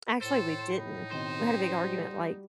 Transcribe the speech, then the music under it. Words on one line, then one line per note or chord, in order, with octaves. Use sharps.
Actually, we didn't. We had a big argument, like,
A2 A4 C5
D#4 B5
B2 D#3 C4 C5
C#4 G5
G3 F#4